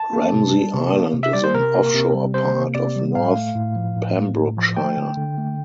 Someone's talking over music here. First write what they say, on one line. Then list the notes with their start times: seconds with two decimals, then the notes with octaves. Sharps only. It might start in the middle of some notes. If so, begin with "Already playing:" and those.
Ramsey Island is an offshore part of north Pembrokeshire.
Already playing: A5
0.13 A#3
0.33 C3
0.53 G3
0.73 C3
0.93 A#3
1.14 C3
1.23 E5
1.33 G3 D5
1.44 C5
1.54 C3 A#4
1.75 A#3
1.94 C3
2.15 G3
2.34 C3 C5
2.55 A#3
2.75 C3 D5
2.96 G3
3.15 A2 F5
3.36 A3
3.55 A2
3.76 F3
3.96 A2
4.16 A3
4.37 A2
4.57 F3
4.77 A3 G5
4.97 D3
5.17 D3
5.38 A3